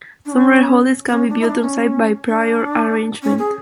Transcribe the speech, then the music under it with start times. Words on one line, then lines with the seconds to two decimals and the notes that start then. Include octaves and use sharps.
Some rare holdings can be viewed on site by prior arrangement.
0.26 D4
0.32 C#4
1.08 B3
1.13 C#4
1.29 D4
1.41 E4
1.45 D4
1.61 C#4
2.27 D4
3.23 C#4
3.39 G#4